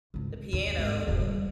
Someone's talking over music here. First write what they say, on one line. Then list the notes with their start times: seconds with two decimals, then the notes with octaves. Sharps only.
the piano.
0.14 G#1 C#2
0.53 D#2
0.78 G#1
1.08 E1 C#3
1.21 G3